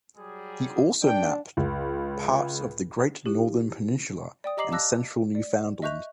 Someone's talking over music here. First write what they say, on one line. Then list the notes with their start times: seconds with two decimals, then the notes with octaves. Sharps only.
He also mapped parts of the Great Northern Peninsula and central Newfoundland.
0.17 F#3 G3 G#4
1.03 D4 G5
1.57 C#2
3.26 D#4 E4 G4
4.44 D5 G5 D#6
4.57 G4 D#5 A#5 D6 C7 F#7
4.71 F5 A5 D6 E6 F#6 A#6
5.35 D5
5.82 D#5 E5 C#6 F#6 G6 F7